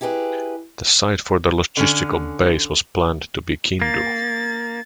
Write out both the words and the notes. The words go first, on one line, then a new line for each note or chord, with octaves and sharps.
The site for the logistical base was planned to be Kindu.
E4 G4 G#4 A#4 B4
D3 C#4 G#5
A#3 A6